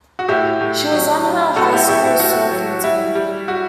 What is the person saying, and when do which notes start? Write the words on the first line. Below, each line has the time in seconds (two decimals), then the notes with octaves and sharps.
She was on her high school's surfing team.
0.19 F#4
0.28 A2 E4 G4
0.61 A2
0.92 F#3
1.25 F#3
1.56 A2 F#4 A4
1.73 E4 G4
1.88 A2 E4 G4
2.04 E4
2.19 A2 F#4
2.52 F#3
2.84 G3 E4
3.15 G3
3.48 F#4